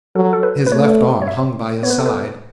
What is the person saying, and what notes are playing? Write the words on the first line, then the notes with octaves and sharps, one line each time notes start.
His left arm hung by his side.
F#3 A4
A4
B4
B4
A3 C#5
C#5
E5
B3 C#5
B4
A4
B4